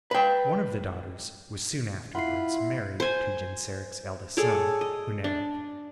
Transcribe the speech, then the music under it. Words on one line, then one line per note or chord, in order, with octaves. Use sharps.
One of the daughters was soon afterwards married to Genseric's eldest son, Hunneric.
B4 G5
E4 F4 F#5 B5 C7
C5 G#5
G#4 A4 C#5 D5
D#5
D4